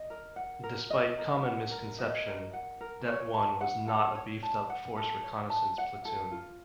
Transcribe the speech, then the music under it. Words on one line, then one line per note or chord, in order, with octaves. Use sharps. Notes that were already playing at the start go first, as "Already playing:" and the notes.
Despite common misconception, Det One was not a beefed up Force Reconnaissance platoon.
Already playing: D#5
A#4
F#5
A#4
D#5
A#4
F#5
A#4
D#5
A#4
F#5
A#4
C#5
A5
F#5
A4
C#5
A5
F#5
A4
C#5
A5
F#5
A4
F4